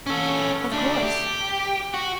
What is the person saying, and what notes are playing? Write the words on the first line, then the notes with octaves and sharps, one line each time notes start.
'Of course!
C#4 A4
A3 D4
G4
F#4